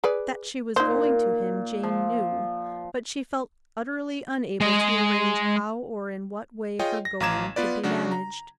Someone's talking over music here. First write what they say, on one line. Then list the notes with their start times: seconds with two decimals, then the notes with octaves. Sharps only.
That she was going to him, Jane knew; but she felt utterly unable to arrange how or in what way her going could be managed.
0.04 G#4 B4 D5
0.76 A#2 D#4 C5
1.83 F3
4.61 G#3 D#5
6.79 F4 G#4 C#5 D#5 G5
7.05 A#6
7.20 A1 F5 A#5 D6 G#6 E7
7.56 B3 F4 B4 D5
7.83 C#3 F#3 D4 F#4
8.11 A#5